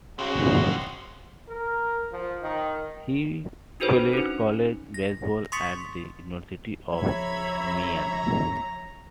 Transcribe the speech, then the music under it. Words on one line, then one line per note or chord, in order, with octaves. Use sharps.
He played college baseball at the University of Miami.
C#3 G#3 C4 F#4
A#4
F3
D#3
D4 D#4 F#4 A4 B4 C5
C#4 D#4
A#6
C6 C#6 D#6 A6 B6 C#7
C#2 F3 C#5 E5 A#5 B5 G#6